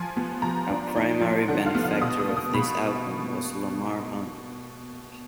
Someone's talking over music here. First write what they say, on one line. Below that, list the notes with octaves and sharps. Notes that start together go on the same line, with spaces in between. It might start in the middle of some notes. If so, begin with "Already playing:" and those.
A primary benefactor of this outcome was Lamar Hunt.
Already playing: F3 G#5
B3
F3 A#5
D4
D#4
F3
D3 F#5
F5
B3
F5
B2 D#6
D#6
A#3
D#6
B2 B5